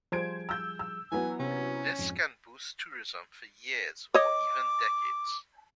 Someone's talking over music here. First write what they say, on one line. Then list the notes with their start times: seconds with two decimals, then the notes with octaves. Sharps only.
This can boost tourism for years or even decades.
0.12 F3 G3 G#4 C5 G#6 D7
0.49 E6 G6
0.79 E6
1.12 E3 F#3 B3 G#5
1.40 C3 C#4
1.99 F2 G#2
4.14 C#5 D#5 D6